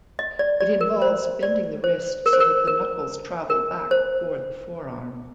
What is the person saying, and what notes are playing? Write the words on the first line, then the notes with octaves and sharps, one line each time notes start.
It involves bending the wrist so that the knuckles travel back toward the forearm.
D#5
D5
D5
A#4
C5
D5
C5
A#4
C5
A#4
A#4
A#4
C5